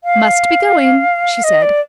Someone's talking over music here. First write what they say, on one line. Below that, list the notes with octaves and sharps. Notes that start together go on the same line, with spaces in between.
"Must be going," she said.
F5
D#5
D5